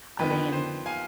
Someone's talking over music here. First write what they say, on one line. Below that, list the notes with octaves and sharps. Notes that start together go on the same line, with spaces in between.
I mean,
F2 D#3 B3 B4
C5
F5 G#5